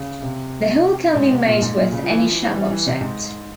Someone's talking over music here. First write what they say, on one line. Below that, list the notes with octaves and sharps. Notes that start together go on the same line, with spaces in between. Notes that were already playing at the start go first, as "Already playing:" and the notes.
The hole can be made with any sharp object.
Already playing: C#3
C3
G#2
C3
A#2
G#2
A#2
C#3
F3
E3
F3
E3
E3
G3
E3
C3
G#2